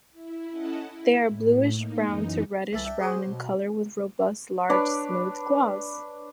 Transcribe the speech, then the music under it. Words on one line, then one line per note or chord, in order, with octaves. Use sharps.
They are bluish-brown to reddish-brown in colour with robust, large, smooth claws.
E4
C#4 E4 A4 D#5 F#5 A5
E4
A2
A#3 D#4
F#2 E3 D#4
C2 E3 A4 B5
D4 E5 G5
F#3 G4 G#4 C5
B2
D4 B4 C#5